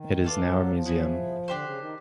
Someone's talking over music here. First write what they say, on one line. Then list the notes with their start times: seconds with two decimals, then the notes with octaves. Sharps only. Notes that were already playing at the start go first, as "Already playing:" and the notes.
It is now a museum.
Already playing: D#3
0.24 E3 D4 F4 A4
0.40 F3
0.55 F#3
0.71 F3
0.86 B3 E4 G#4
1.48 D3 D4 G4 C5
1.63 C#3
1.78 D#3